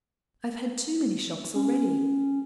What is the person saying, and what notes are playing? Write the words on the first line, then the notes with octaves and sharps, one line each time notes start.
I have had too many shocks already.
C#4